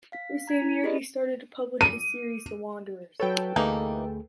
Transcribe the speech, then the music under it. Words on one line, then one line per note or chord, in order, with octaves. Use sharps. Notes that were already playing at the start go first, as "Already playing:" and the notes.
The same year he started to publish his series “The Wanderers”.
F5 B6
A#5 G#6 B6
E4
G4 G#4 B4 D5 D#5 B5
D#7
F#3 A4 B4 C#5 G5
D2 E3 A3 A#3 D#4 G#4